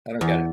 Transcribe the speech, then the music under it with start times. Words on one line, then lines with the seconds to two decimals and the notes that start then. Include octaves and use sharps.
I don't get it.
0.21 E2